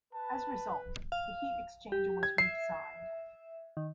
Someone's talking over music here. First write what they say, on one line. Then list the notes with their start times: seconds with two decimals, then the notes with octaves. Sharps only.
As a result, the heat exchanger was redesigned.
0.14 B4 A5
1.12 F5
1.92 G4
2.23 G#6
2.38 E5 C7
3.77 D#3